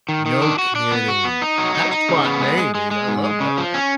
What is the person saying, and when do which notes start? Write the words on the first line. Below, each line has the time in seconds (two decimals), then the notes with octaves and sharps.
No kidding. That's spontaneity, I love that.
0.09 D#3
0.26 D#3
0.42 D4
0.59 F#4
0.75 D4
0.92 B3
1.08 F#4
1.25 B3
1.42 D#4
1.58 F#3
1.75 D#4
1.91 D#4
2.09 C#3
2.24 B3
2.41 G#3
2.57 G#3
2.75 G#3
2.91 G#3
3.08 G#2
3.24 G#3
3.40 C#3
3.57 F3
3.74 C#4